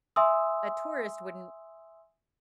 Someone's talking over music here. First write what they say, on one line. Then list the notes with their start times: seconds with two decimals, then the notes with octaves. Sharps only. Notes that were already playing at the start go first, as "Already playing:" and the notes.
a tourist wouldn't
0.16 E5 G#5 C6 D#6 E6